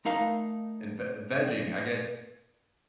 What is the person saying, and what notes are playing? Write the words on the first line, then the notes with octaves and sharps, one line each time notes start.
and v vegging, I guess,
A3 D#4 A#4 F5